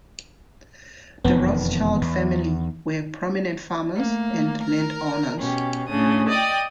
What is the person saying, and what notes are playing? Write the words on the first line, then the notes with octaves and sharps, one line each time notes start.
The Rothschild family were prominent farmers and landowners.
E1 F2 D#3 B3
E2
A3 A#3
A#4
B2 C#4 G4
A2 C#3 D4 D#6
D5 D#5 G5 D#6